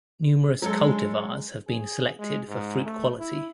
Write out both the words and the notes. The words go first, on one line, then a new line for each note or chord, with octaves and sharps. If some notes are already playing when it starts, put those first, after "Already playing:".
Numerous cultivars have been selected for fruit quality.
F#3 G#3 A4
G#4
G#3
G#2
A3
E4